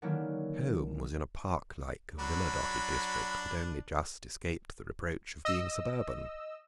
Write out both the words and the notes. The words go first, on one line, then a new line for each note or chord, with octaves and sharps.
His home was in a park-like, villa-dotted district that only just escaped the reproach of being suburban.
D3 D#3 F#3 A#3 C#4 E4
F#3 D4 B5
D#5 E6